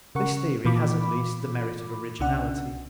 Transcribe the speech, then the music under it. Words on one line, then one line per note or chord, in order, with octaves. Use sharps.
This theory has at least the merit of originality.
C#3 A#4 F#5 C#6
A#2 E3 F4 B5 D6
C2 C#3 D4 F#5